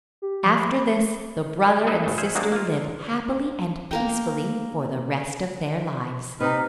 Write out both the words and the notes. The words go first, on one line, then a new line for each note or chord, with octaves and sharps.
After this, the brother and sister lived happily and peacefully for the rest of their lives.
G4
F3
B5
D#4 E4 A4 B4 D#5 E5
G#1 C#3 A4
G#4 C5 E5 F5
F#3 G#3 A#3 C4 D4 D#4
A#3 F4
A#3 A#4 G5
C3 D#4 B4 A#5 F6